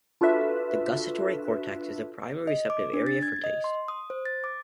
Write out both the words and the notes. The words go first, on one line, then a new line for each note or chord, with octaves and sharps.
The gustatory cortex is the primary receptive area for taste.
D4 F4 F#4 A4 B4 E5
D#5
D6
D4
A6
G#6
D#5
C6
D#6
C5
A6
D6